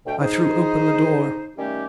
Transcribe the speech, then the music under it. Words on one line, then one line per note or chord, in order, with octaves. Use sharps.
I threw open the door.
D2 B2 G5
D#4 G#4 C5
D#3 G3 A3 C#4 G4